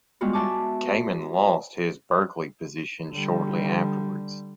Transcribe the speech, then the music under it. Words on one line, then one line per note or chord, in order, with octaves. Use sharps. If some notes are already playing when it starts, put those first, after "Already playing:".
Kamen lost his Berkeley position shortly afterwards.
G3 G#3 B3 F4 F#4
E5 G#5 A5 C#6 D6
D3 G3